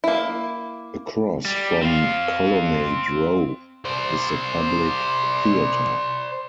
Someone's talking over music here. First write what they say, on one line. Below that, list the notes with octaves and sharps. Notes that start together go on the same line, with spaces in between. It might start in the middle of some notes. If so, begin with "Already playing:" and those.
Across from Colonnade Row is The Public Theater.
A#3 E4
G3
C4 F5
C5 D5